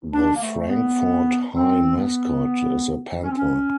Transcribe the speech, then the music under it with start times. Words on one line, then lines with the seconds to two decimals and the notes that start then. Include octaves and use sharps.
The Frankfort High mascot is a panther.
0.13 D4
0.36 A#3
0.41 A3
0.69 B3
1.54 C4
1.96 B3
3.23 C#4
3.30 C4
3.37 C#4